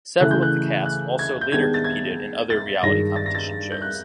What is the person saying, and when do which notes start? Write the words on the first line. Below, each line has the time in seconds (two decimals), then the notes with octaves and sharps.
Several of the cast also later competed in other reality competition shows.
0.20 C#3 E3 A3 F#6
0.31 G6
0.42 F#6
0.86 F#6
1.19 G#6
1.41 G6
1.51 D#3 G#3 B3 D4 G4 G#6
1.74 A6
1.84 G#6
2.50 A6
2.83 G2 D#3 G#3 A#6
3.16 A6
3.26 A#6
3.35 A6
3.72 G6
3.82 F#6